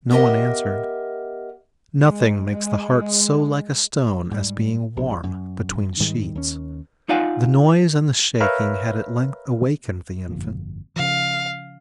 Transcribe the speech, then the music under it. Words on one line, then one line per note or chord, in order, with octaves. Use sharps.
No one answered. Nothing makes the heart so like a stone as being warm between sheets. The noise and the shaking had at length awakened the infant.
B3 G4 A#4 D#5 E5
G#3
G#3
G#2 G3
A#1 B2
F#2
G#2 D#3 G3 G#3
D#2 C#4
D#4 F4 D5 F5 F#5 G#5
A#4 B4 C#5 E5 F5
G1 F2 A#2
C#3 F3 F5